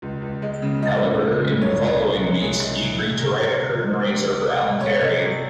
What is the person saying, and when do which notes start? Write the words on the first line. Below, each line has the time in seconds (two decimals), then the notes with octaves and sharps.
However, in the following weeks, he agreed to write a curtain raiser for Ellen Terry.
0.02 C#2
0.22 C#2
0.42 G#3
0.62 C#3
0.82 C#2 D#5
1.02 C#3
1.22 C#2
1.42 C#3
1.61 C2 C#5
1.82 C2
2.02 A#2
2.22 G#3
2.42 C2 G#4
2.62 G#3
2.82 C2
3.01 C2
3.21 C3 A#4
3.41 G3
3.61 C3
3.81 D#3
4.01 G3
4.21 C#2
4.41 C3
4.61 C3
4.81 G3 C#5
5.01 C3 D#5
5.21 G3